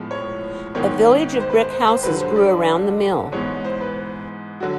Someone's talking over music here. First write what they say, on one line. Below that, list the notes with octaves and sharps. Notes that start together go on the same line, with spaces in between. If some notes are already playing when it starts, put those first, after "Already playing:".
A village of brick houses grew around the mill.
Already playing: A2 F3 G#3 B3
C#5
G#2 D#3 G#3 B3 C#5
C5
B4
C5
C5
C5
G2 D3 F#3 B4
C5
D5
G#2 E3 G#3 B3 C#5
C5
B4
D3 F#3 F#4